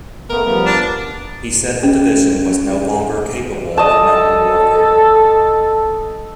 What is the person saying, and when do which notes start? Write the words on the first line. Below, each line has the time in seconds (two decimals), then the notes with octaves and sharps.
He said the division was no longer capable of mountain warfare.
0.30 C#3 A3 B3 A#4
0.45 F3 G3 B3
0.66 D4 A5
1.83 C#4 D#5
3.78 A4 D#5 A5